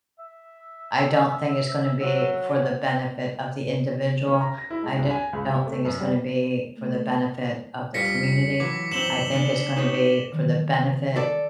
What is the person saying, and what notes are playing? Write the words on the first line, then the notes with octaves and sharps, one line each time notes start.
I don't think it's gonna be for the benefit of the individual. I do not think it's gonna be for the benefit of the community. I think it's gonna be for the benefit
E5
F#3
C#4
A#5
A#6
E4
G#3
C2
G#5
C#2
C3
A3
F#2
G3
A3
F2 G3 F4 A#6 B6 C#7
E3 F#3 D6
F#2 E3 C4 E7 F#7 G7
C#3 D4
D#4 G4 C#5
D#3 E3 F#3
D#4 A4 D5